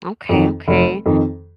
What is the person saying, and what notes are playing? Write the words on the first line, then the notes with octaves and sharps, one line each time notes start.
Okay, okay.
F2 D#3
F1
F2 D#3